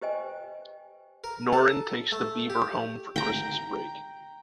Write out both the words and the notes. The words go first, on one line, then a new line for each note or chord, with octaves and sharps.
Norrin takes The Beaver home for Christmas break.
G4 B4 C5 D#5 G5 G#5
A#4
A4
A3
G4
G5 A#5